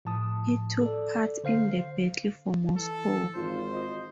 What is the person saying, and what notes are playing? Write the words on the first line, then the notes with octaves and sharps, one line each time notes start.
He took part in the battle for Moscow.
A2 F3 A5 D#6
A4 D5
D3 C5 F5 C7
E3 A4
G#1 F4 C5
D#5